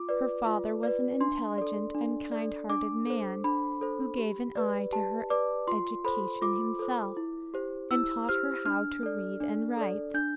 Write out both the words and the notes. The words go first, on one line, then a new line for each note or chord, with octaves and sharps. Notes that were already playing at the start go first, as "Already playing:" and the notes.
Her father was an intelligent and kind-hearted man who gave an eye to her education himself, and taught her how to read and write.
Already playing: F4 D6
B4 D5
F4
B4 D5
D4 C6
A4 D5
D4
A4 D5
D4 D6
A4 C5
D4 B5
A4 C5
G4
B4 D5
G4 A5
B4 D5 D6
F4 C6
A4 C5 B5
F4 D6
A4 C5
E4
G4 C5
E4 E6
G4 C5 F6
D4 F6
A4 D5
D4
A4 D5
D4 G6